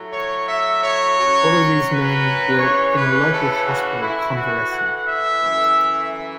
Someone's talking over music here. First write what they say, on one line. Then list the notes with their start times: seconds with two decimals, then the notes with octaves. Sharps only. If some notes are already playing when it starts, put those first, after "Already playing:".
All of these men were in a local hospital "convalescing".
Already playing: A2 F#3 A3
0.11 C#5
0.47 E5
0.82 C#5
1.18 F#2 F#3 C#4
1.88 B4
2.59 C#3 E3 C#4 C#5
2.95 B4
3.30 A4
3.65 F#4
4.01 A2 E3 A3 E4
4.35 F#4
4.71 F#5
5.06 E5
5.42 F#2 E3 A3